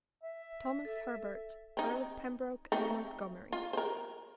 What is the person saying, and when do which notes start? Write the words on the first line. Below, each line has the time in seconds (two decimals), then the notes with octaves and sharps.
"Thomas Herbert, Earl of Pembroke and Montgomery."
0.23 E5
0.85 A4
1.77 C4 D#4
2.72 A3 C4 D#4
3.52 F4
3.73 A#4 C5